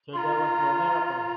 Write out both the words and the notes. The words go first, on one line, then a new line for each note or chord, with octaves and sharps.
So there was no miracle?
F4 A#5 C6